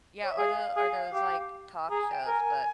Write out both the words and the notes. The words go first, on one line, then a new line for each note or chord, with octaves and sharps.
Yeah, or the or those like talk shows, but
C#5
E5
G#4 F5
G#4
G4
G#4 A#5
G#5
G5
A#4 G#5